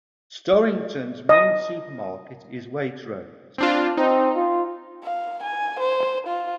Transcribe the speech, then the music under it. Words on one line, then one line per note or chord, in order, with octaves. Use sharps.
Storrington's main supermarket is Waitrose.
D#5
C4 D4 F4
C4 D#4
F4
F5
G#5
C5
F4